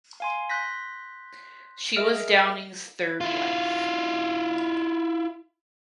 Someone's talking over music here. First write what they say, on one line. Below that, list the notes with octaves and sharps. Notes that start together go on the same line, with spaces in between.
She was Downing’s third wife.
F5 G#5 C6
C6 F#6 G6 A#6 B6
G#4 A#4 D#5 E5 F6 D7
E4 F4